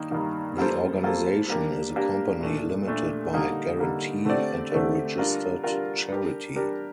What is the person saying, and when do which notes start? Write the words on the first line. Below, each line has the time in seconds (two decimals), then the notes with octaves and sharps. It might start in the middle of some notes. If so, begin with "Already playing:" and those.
The organisation is a company Limited By Guarantee and a registered charity.
Already playing: G2 D#3 A#3 D#4
0.11 G2 D#3 A#3 D#4
0.57 G3 A#3 F4 A4 C5
1.03 G3 A#3 F4 A4 C5
1.48 G3 A#3 D4 G4 A#4
1.95 G3 A#3 D4 G4 A#4
2.41 A#2 A3 D4
2.87 A#2 A3 D4
3.33 D3 G3 A#3 D#4
3.79 D3 G3 A#3 D#4
4.25 D3 A3 C4 G4 D5
4.71 D3 A3 C4 G4 D5
5.18 G3 D4 F4 A#4
5.63 G3 D4 F4 A#4
6.09 G3 D4 G4 A#4
6.56 G3 D4 G4 A#4